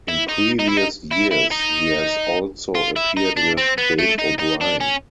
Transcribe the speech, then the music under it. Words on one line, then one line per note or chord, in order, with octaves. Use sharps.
In previous years he has also appeared with Dave O'Brien.
E4
D#4
D#4
E4
D#4
E4
E4
D#4
F4
E4
D#4
D4
C4
B3
A3
D#4
D#4
D4
C#4